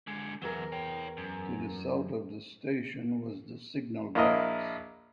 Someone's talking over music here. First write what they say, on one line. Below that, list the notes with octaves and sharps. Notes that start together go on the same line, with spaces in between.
To the south of the station was the signal box.
D3 G#3
E2 E3 F#3 A#4
C#5 G5
F#2
A#1 A#3 E4 D#5